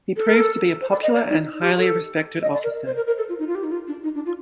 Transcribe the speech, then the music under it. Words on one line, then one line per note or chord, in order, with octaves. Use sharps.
He proved to be a popular and highly respected officer.
A4
A#4
A4
C5
D5
D#5
D5
D#4
G4
A4
D#5
D5
A#4
C5
A#4
A#4
A4
F4
D#4
F4
G4
D#4
F4
D4
D#4
D4
F4